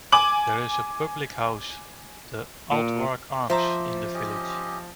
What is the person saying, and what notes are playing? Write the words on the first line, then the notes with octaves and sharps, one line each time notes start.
There is a public house, the "Aldwark Arms", in the village.
G#5 D6 F#7
A#2
F3 C5 E5 A#5 D6
C#4 G4 D#5